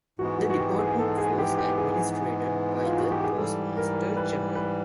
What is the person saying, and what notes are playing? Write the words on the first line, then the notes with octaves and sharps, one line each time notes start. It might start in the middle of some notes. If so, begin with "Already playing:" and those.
The Department was administered by the Postmaster-General.
G#2 E3 G#3 B3 F#4
F#4
F#4
G4
G#4
A4
G#4
G4
G4
G#4
F4
F#4
G4
G#4
G#2 E3 G3 A4
A#4
B4
B4